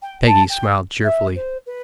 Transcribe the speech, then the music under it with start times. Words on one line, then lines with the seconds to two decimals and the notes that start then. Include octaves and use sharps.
Peggy smiled cheerfully.
0.02 G5
0.26 A5
0.49 G5
1.04 E5
1.35 C5
1.66 B4